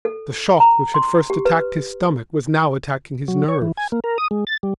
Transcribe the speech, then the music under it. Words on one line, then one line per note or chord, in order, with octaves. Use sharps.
The shock which had first attacked his stomach was now attacking his nerves.
A4
A#5
C6
G4
B4
F#3
C#5
E3
G#5
A#3
A#4
D#6
G#3
A6
G3